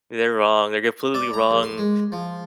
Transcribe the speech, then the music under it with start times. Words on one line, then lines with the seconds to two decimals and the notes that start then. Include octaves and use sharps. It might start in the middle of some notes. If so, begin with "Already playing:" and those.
They're wrong, they're completely wrong,
1.14 D5
1.33 A#5
1.51 A#1
1.63 C6
1.78 G#3
2.12 F3